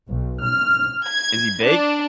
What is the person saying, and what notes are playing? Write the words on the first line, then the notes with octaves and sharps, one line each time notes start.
is he big?
B1
F6
G#6
D4